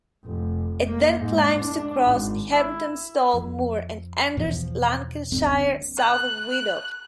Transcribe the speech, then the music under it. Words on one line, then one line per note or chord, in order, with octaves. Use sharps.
It then climbs to cross Heptonstall Moor and enters Lancashire south of Widdop.
F1
A#3
G#2
D4
G#1
E4
F2
E2 B2 E3 F3
F#1 D2 D3 C4
F#6